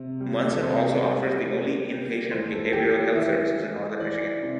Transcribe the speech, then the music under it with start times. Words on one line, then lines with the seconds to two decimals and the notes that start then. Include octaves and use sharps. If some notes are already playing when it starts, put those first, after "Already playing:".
Munson also offers the only inpatient Behavioral Health services in northern Michigan.
Already playing: C3
0.20 G3
0.50 A4
0.62 C3 C5
0.90 D5
1.05 G3
1.19 D5
1.47 G3
1.90 G3
2.31 E3 C5
2.52 A4
2.73 E3 G4
3.15 E3 E5
3.58 E3
4.00 E3 D5
4.42 C3